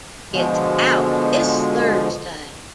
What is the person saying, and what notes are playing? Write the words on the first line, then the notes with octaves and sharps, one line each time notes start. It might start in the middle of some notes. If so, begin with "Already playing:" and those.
It's out this Thursday.
B2 D3 F3 G#3